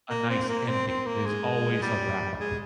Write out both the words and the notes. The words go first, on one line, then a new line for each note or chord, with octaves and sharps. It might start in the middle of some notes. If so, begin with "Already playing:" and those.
a nice ending, there's always a wrap-up,
A#3
C4
A#3
C4
C4
A#3
G#3
G3
G#3